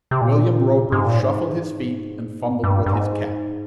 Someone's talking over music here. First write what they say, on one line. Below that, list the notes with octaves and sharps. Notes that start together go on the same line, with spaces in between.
William Roper shuffled his feet and fumbled with his cap.
C3
A#2
G#2
A#2
G#2
G2
G2
G#2